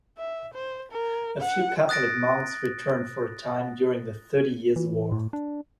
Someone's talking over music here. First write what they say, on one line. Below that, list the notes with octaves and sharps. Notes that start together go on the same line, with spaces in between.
A few Catholic monks returned for a time during the Thirty Years' War.
E5
C5
A#4
F#5
D#6 F#6 A6 A#6 D7
E3
A2
D4